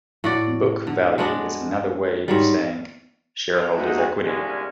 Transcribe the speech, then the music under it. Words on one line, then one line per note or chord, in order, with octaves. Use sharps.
Book value is another way of saying "shareholders' equity".
A2 F#4 D5
D3
F#3 G#3 B3 D4
G#2 F#3 G3
G#3 A3 D#4 F#4
C2 A#2 D3 G#3 C#4